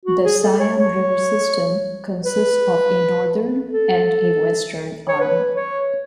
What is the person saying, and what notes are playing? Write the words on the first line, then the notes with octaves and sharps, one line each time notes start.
The "Siam River System" consists of a northern and a western arm.
F#4
G#4
A4
C#5
C#5
B4
A4
C#5
B4
C#5